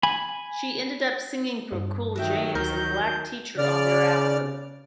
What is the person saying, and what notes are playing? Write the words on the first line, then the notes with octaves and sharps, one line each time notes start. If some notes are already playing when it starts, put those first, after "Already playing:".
She ended up singing for Cool James and Black Teacher on their album.
G#5 B5
G2
D#3 F#3 F#4 E5 G5
D2 A#4 G6
C#3 D5 F6